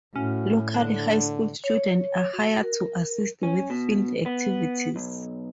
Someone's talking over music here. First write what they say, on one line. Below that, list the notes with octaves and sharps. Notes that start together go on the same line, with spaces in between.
Local high school students are hired to assist with field activities.
A2 C#4 F#4
D3 D4
C#5
F#4
A#4
C#4
B2
B3
B1